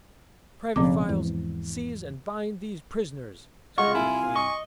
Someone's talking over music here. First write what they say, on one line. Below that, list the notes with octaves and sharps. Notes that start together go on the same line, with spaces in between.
"Private Files, seize and bind these prisoners!" screamed the Queen.
B1 A2 C#3 F3 C4 D6
E2 G#2
G#3 F4 G#4 D#5 F#5 C#6
C2 E4 G#5
D#5 C#6